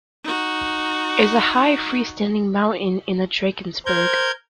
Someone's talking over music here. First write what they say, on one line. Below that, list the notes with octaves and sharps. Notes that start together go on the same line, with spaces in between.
It is a high free standing mountain in the Drakensberg.
D#4 F#4
A#4 C5 G6 G#6